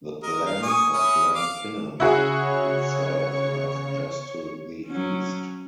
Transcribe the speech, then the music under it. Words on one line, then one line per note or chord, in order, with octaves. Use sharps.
The glen of Glen Finnan itself lies just to the east.
A#4 D#5
F5
G#5 C#6 D#6
C#4 E4 D#6
F5 D6
C#3 E4 F#4 G#4 C#5 C#6
F#3 C#4